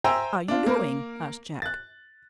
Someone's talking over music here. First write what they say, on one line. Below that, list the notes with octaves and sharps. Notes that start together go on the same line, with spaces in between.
"Are you going?" asked Jack.
C5 E5 G5 G#5 A#5 E6
D4 F4
A#3 A#4
F#6 A6